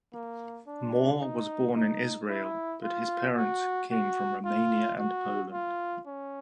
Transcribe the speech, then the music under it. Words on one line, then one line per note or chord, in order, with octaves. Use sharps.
Mor was born in Israel but his parents came from Romania and Poland.
A#3
D4
D#4
D#4
E4
F4
F#4
F#4
F4
F#4
F4
C#4